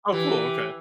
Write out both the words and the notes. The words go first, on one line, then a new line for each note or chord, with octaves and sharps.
Oh, cool, okay.
E3 G4